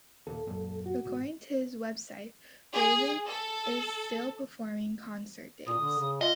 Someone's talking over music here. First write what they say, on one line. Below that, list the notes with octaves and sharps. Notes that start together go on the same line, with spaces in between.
According to his web site, Raven is still performing concert dates.
D#2 A#2 A4
F#2 A#2
F#4
G#1
G#4
A4
A#2 D#6
D3
C#3
F4 D#5